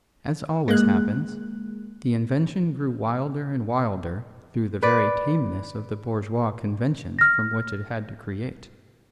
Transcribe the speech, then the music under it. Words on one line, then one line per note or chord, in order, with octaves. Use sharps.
As always happens, the invention grew wilder and wilder through the very tameness of the bourgeois conventions from which it had to create.
G#3 A#3 F#6
B4 D5
F6 A#6